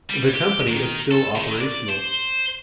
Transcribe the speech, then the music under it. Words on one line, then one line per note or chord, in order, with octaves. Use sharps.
The company is still operational.
G3
G4
D#3
A4
D#3
D5
C5